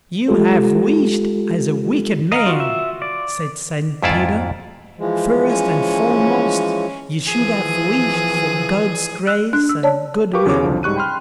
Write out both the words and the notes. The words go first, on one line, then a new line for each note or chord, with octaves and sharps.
'You have wished as a wicked man', said St Peter; 'first and foremost, you should have wished for God's grace and goodwill.'
G#3 F4 G4 A4
D#5 F5 A#5 C7
F4 F#4 E7
E5
D5
F2 G#2 E4 F4 D5 A5
E3 F3 G#3
C#4 C#5
E3 F3 G#4
E6 F#6
D4 F#6
E6
C#5 D5 A5
G4 A#4 B4 F5 C#6 D6
E2 C#3 C#4 F#4 C#5 D6
C2 D3 F3
G#2 G3 C#6 F#6 D#7
G5 B5 C6 F6